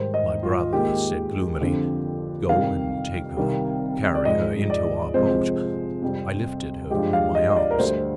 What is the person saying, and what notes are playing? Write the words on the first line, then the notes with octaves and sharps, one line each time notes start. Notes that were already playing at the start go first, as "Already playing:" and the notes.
My brother said gloomily, 'Go and take her; carry her into our boat.' I lifted her in my arms.
Already playing: G#2 D#3 G3 C5
D#5
F4
D#2 D#3 G#3 G4
F2 D3 F3
F2 C3 D#3 G3 F5
C2 C3 D#3 G3
D5
G#2 F3 G#3 D#5
D5
F2 C3 F3 G#3 C5
F2 C3 G3
G2 F3 G#3 G4
F5
D#5
D#5
D5
A#4
D2 D3 G3 C5